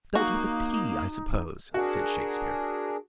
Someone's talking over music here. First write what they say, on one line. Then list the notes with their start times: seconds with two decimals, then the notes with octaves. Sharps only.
"Spelt with a P, I suppose?" said Shakespeare.
0.15 A#3 D#4 F#4
1.74 D4 F#4 G#4 A#4